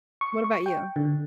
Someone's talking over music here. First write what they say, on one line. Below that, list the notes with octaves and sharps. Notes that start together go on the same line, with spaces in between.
What about you?
C#6
C#6
G5
D3